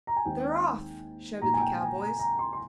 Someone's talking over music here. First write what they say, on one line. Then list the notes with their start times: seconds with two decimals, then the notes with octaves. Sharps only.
"They're off!" shouted the cowboys.
0.07 A#5
0.16 G#5
0.25 D#2 D#3 G#3 C4 D#4 G5
1.42 A#2 G#3 D#4 A#5
1.54 G#5
1.61 G5
1.81 G#5
2.00 A#5
2.19 A#5
2.39 C6
2.53 C6